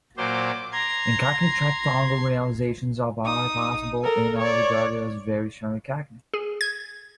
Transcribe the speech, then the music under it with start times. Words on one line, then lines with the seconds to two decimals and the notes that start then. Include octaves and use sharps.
In Cockney, triphthongal realizations of are possible, and are regarded as "very strongly Cockney".
0.17 A#2 F#3 C5 D6
0.72 A#5 C6 G#6
3.24 D#4 D#6
4.03 A4 A#4
4.38 C#5 D5
6.34 G#4
6.61 G#6